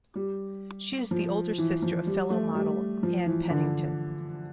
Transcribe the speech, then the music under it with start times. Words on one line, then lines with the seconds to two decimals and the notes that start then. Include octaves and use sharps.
She is the older sister of fellow model Ann Pennington.
0.15 G3
1.11 F3
1.58 E3
1.82 F3
2.07 G3
2.30 A3
2.54 G3
3.03 F3
3.26 E3
3.50 D3